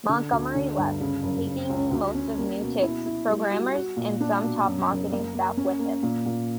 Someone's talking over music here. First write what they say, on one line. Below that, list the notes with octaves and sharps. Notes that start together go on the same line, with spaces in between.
Montgomery left, taking most of NewTek's programmers and some top marketing staff with him.
D3
D2
D3
G1
C#3
F#1
C#3
C#2
D2
C#4
A#3
B2
E4
E4
G3
F#4
F#4
A#2
D4
B2
F#2
F#1
A#3
A#3
C#4
A#3
A#2
A#2